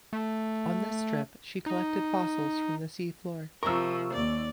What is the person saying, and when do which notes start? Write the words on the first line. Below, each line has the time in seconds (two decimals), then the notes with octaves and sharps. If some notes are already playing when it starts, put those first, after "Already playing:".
On this trip she collected fossils from the sea floor.
0.13 A3
1.66 D#4
3.63 C3 F3 A#4 C#6 E6
4.12 D#2 D5